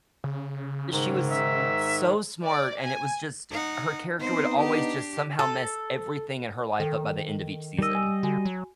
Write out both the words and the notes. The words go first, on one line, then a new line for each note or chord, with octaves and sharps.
she was s so smart, and it was just her character would always just somehow mess everything in her life up by the end of each season.
C#3
G#2 D#3
E5
D5
G#5
D#4 F#5
B3 C4 D#4 C5
D4 G4
A4
D#3 A4 G5
G3 D#4 A#4 D#5 E6
G#5 E6
D3 F#4 G#5
F#3